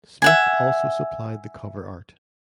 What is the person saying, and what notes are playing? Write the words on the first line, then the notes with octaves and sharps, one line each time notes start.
Smith also supplied the cover art.
E5 F#5 G#5